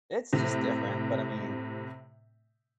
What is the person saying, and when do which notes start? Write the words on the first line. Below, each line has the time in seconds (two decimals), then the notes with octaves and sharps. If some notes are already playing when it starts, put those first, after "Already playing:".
it's just different, but, I mean,
0.33 A2 C3